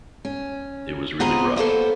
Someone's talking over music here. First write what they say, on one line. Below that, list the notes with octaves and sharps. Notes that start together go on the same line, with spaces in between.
It was really rough.
C#4
B3 C4 F4 G#4 D#5 A#5
A#3 B3 A4 C5